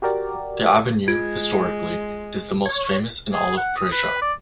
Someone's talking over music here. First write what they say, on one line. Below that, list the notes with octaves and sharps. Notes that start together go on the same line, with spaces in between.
The avenue, historically, is the most famous in all of Persia.
F#4 G4 A#4 D5
G#3 F4 G#6 D7
C#5
G#4
F#5
D#6
B4
D5